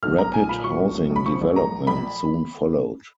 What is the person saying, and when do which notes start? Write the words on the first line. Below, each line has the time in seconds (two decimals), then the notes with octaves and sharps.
Rapid housing development soon followed.
0.03 B1 F6
0.18 B1 A#5
0.34 A#2 G#5
0.49 A#2 B5
0.64 F#3 C#6
0.80 B1
0.95 F#3
1.10 B1
1.16 B5
1.26 F3 C#6
1.41 A#1
1.56 A#1 A#5
1.71 A#1
1.87 A#1 B5